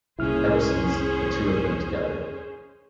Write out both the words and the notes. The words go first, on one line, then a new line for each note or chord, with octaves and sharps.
Ever since, the two have been together.
C2 A#2 C#4 E4 G#4 C5 F6